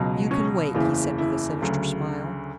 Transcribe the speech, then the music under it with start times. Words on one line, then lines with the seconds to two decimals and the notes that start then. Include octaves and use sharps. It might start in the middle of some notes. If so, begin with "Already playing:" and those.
"You can wait," he said with a sinister smile.
Already playing: C#2 B2 F#3
0.31 C#4
0.74 F#1 E2 C#3 E3
1.18 E4
1.62 D2 C#3 F#3